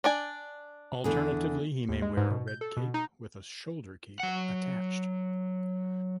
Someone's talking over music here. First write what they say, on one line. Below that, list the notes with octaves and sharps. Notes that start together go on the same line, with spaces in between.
Alternatively, he may wear a red cape with a shoulder cape attached.
D4 D5 G#5
E2 D3 G#4
D#2
G#3
G#2
B2
G6
A4
B2
D#4
F#3 F#5